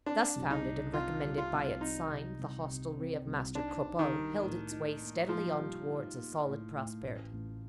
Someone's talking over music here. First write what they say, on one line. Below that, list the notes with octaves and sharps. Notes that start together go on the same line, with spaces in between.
Thus founded and recommended by its sign, the hostelry of Master Cropole held its way steadily on towards a solid prosperity.
C4 D4
C2
D#4
C2
C4 F4
G3
F4
C2
C4 D#4
C3
C2
C3
C4
C2
D4 D#4
D#4
D#3
G3
A2
D#4
A#3
F3 A#3
G3
D#4
A#3
A2
A2
A1
A1